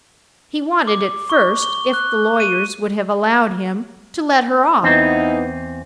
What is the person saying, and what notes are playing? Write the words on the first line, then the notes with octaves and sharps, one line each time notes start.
He wanted, at first, if the lawyers would have allowed him, to let her off.
D6
C#6
G7
F#6
D#7
E2 E3 B3 C4 D#4